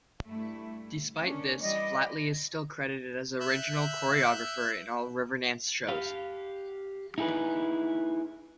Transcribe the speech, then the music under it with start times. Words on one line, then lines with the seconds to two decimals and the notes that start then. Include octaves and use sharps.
Despite this, Flatley is still credited as original choreographer in all Riverdance shows.
0.25 G2 A3 E4
1.18 A#3 C#4 D4
1.62 E3 G3 D5 D#5
3.40 E5 E6 F#6 G6
5.88 G4 F5
7.18 D#4 E4 G#4 A4 B4